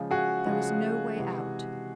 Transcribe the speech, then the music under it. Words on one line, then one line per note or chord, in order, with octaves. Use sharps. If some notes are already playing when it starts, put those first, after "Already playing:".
There was no way out.
Already playing: C#3 F3 G#3
F#4 G#4
C#3 F3 G#3
C3 E3 G#3